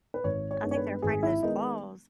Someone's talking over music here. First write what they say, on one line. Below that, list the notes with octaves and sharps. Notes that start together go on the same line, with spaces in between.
I think they're afraid of those claws.
B4
G#1 C#5
C#5
G2 D#3 G#3 B3
C#5
B4
G#1 G#4
E4
D#3 G#3 B3 D#4